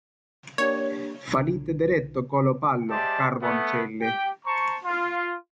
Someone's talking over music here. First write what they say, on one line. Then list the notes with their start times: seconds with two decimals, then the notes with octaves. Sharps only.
Falite dereto colo palo, Carvoncelle!
0.58 A#3 D4 G4 C#5
1.28 B1 D3
2.90 G#3 G4 C5 D5 E5 A5
3.42 A3 B3
4.02 G4 G5
4.45 C5 A5 A#5 C#6
4.84 F4